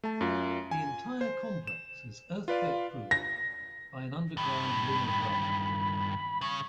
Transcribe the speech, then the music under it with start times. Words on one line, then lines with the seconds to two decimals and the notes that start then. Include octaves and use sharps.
The entire complex is earthquake-proofed by an underground ring of rubber.
0.04 A3 A5
0.21 F#2 F4
0.71 G#5
1.21 C5
1.67 E7
2.48 F4 B4 D5 F5
3.11 A#6
4.37 G2 D#3 B5
6.41 C#3 C#6